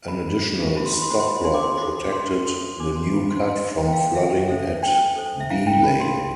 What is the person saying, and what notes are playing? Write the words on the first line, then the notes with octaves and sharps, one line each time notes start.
An additional stop lock protected the new cut from flooding at Beeleigh.
E4 B5
G4 C5
E4 B5
C6
B5
C6
G4 C5 B5
C6
B5
D4 C6
D6
C6
A4 C5 D6
D4 C6
A4 C5 C6
D4 D6
C6
A4 C5 B5
C6
D4 C6
A4 C5
G5
F5
D4 E5
A4 C5 E5
D4 G5
A4 C5
E5
E4 F5
G5
B4 B5
C6
E4